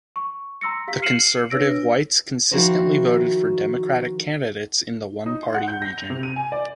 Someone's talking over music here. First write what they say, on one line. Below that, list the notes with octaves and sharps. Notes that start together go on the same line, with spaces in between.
The conservative whites consistently voted for Democratic candidates in the one-party region.
C#6
A#5 C6 E6 A#6 C#7
G4 F5 B6
F6 C7 C#7 D#7 E7 F#7
D4 B4 C#5 E6 A#6 D7
D#3 F3 E4 F#4 A#4 C5
D#4
C6
F#5
G6
A#6
F7
C3
D#7
G#5
D5